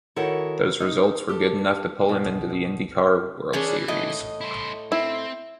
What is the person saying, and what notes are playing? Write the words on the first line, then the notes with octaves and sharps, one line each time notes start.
Those results were good enough to pull him to the Indy Car World Series.
D#3 E4 F#4 A4 C#5
D#4
G4 A4
B2
E3 C#4 D4 G#4
A2 D#5
E4 C5
C4 E4